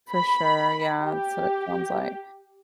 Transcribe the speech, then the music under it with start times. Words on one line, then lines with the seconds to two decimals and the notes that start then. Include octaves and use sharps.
For sure, yeah, so, that sounds, like
0.13 B5
1.01 G4